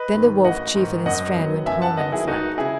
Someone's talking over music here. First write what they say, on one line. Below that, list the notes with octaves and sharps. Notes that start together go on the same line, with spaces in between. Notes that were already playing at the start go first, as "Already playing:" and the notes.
Then the Wolf chief and his friend went home and slept.
Already playing: B4 D#5
G#2 D#3
A1 D#5 F#5
G#2 D#3
F#2 D#5 F#5
D#3 F#3 B3
F#2 E5 G#5
F#5 A5
D#3 F#3 B3 D#5 F#5
E4 G#4
E1 D#4 F#4
C#3 E4 G#4